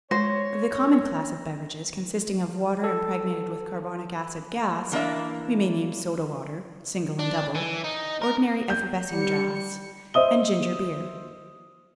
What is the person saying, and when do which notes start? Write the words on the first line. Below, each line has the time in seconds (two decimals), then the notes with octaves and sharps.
Of the common class of beverages, consisting of water impregnated with carbonic acid gas, we may name soda-water, single and double, ordinary effervescing draughts, and ginger-beer.
0.11 G#3 C5 C#5 A#6
2.84 A4
4.92 E3 A#3 D4 E5
7.19 D4
7.55 E3
7.84 D#4
8.22 A#4
8.70 G6
9.08 G3 C#7
10.14 C5 D#5 E5 D#6 G7